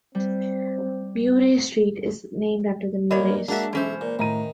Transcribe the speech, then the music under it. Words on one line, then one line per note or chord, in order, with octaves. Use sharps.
Murray Street is named after the Murrays.
G3 C4
A#2 G3 A#3 C#5 D#5
G#3 A#3 D4 F#4 E5
B1 E3 C#4 C5 E5
A#2
A2 D#3 A#5 D#7